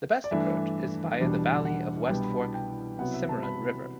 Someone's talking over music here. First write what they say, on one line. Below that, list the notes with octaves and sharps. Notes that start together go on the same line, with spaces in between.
The best approach is via the valley of West Fork Cimarron River.
D5
G2 E3 A3 D4 E5
E2 B2 G3 D4
F#5
C2 B2 G3 B3 D4 G5
B5
A5
G5
C3 F#3 B3 E4 F#5
E5
A5
B5